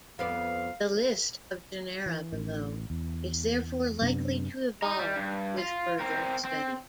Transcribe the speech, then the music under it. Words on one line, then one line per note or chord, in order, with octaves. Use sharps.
The list of genera below is therefore likely to evolve with further study.
F2 B3 D5 F5
E3
A1
E2
F#2 C3 B3 D4
D#5 A#5
G3
G2
F4
C4 A#4
C4